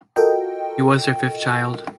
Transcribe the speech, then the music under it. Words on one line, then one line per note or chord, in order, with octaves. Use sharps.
He was their fifth child.
F4 F#4 A4 A#4 D#5 G5